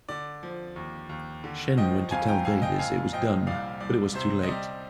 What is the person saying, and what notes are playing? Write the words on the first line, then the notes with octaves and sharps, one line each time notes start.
Shinn went to tell Davis it was done, but it was too late.
D3 D5
F3
D#2
D#2
D3
F3 D#5 G5
F2 F5 G#5
G5 A#5
F2 F5 G#5
D#5 G5
A#2 F5 G#5
F3 D#5 G5
C2 D5 F5
C2 D5
C3 C5
D#5
G3 D5